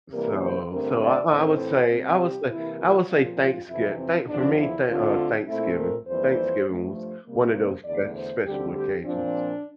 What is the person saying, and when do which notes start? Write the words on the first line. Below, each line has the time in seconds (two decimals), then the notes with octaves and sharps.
So, so, I I would say I would say I would say thanksgi thank for me, thank uh, Thanksgiving. Thanksgiving was one of those sp special occasions.
0.12 C3 E3 G3 A#3 A#4
0.41 C5
0.71 G2 D3 A3 C4 A#4
1.01 D5
1.30 A2 E3 A3 C4 C5
1.91 C3 G3 C4
2.21 G4
2.49 C3 E3 A#3 E4
2.80 F4
3.09 A#2 F3 C4 F4
3.40 F4
3.69 F2 C3 E3 E4
3.98 C4
4.28 E2 D3 F3 D4
4.58 E4
4.87 D2 D3 A3 C4 F4
5.47 A#2 A3 C4 E4
5.77 A#4
6.07 F2 E3 G3 A#3 C5
6.66 G2 F3 A3
6.97 C5
7.26 C3 G3 A#3
7.55 C5
7.85 E2 D3 A3 D5
8.15 C5
8.44 D2 D3 G3 C4 G4
8.74 G4
9.04 A#2 F3 C4 D4